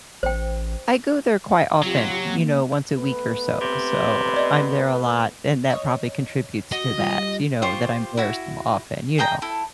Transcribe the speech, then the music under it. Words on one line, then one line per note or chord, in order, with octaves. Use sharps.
I go there quite often; you know, once a week or so, so I'm there a lot, and that probably contributes to that, you know, that I'm there so often, you know.
A1 C5 G5
C3 F#3 F4 G4
C3 A#3
A3 B3 B4
C3
D5 D#5
C#5 D#5
F#4 D#5
G3 F4 G4
F4 G4 C5 C#6
E4 F#4
G#4 D#5 G5 A#5
E4 A4